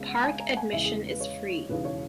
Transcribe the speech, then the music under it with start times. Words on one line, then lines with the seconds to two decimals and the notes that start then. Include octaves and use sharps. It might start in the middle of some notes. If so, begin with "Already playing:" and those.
Park admission is free.
Already playing: C#2 C#3 G#3 B3
0.08 F#5
0.24 G#5
0.40 A#5
0.51 F#5
0.57 G#5
0.73 E2 C#3 E3 G#3 E5
0.85 G#4
1.09 B4
1.21 C#5
1.69 E1 D#2 C#3 E3 B4
1.85 C#5